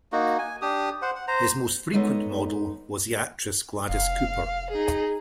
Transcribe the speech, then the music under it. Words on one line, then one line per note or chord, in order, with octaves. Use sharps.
His most frequent model was the actress Gladys Cooper.
A#3 D#4 F#4
G#5
D4 G4 D#6
C5 F#5
F#5
C5 A#5
G#3 B3 D#4 A4 C#5 D#5
F1 F5
D#4 G#4